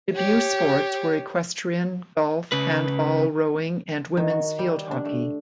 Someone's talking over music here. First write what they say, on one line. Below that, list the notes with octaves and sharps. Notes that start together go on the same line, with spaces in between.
Debut sports were equestrian, golf, handball, rowing, and Women's field hockey.
G4 C#5
C#3 B4
D#3
F#4
G3
D4
A3